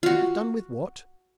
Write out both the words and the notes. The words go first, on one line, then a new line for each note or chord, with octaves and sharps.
'Have done with what?
F4 F#4